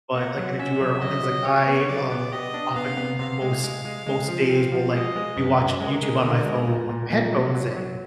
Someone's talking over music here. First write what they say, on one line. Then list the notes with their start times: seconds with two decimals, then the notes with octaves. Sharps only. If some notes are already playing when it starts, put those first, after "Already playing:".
but, like, kinda do our own things, like I, um, often most most days will, like, be watching YouTube on my phone with my headphones in,
0.16 A#3 F#5
0.38 F#3
0.59 C#4 E5
0.81 F#3
1.02 F#3 D#5
1.24 F#3
1.45 G4 C#5
1.67 B3
1.89 F#3 D5
2.12 B3
2.32 G4 D#5
2.54 D4
2.76 B3 F5
2.97 B3
3.19 C3 F5
3.42 G#3
3.63 G#3
3.85 G#3
4.06 G#3
4.28 F3
4.50 C4
4.72 F3
4.93 G#3 D#5
5.16 G#3
5.37 F#2 B4
5.58 F#2
5.80 G#3 A#4
6.03 G#3
6.24 D3
6.45 G#3
6.67 A#2
6.89 A#2
7.10 A#2
7.33 F#3
7.54 F#3
7.76 F#3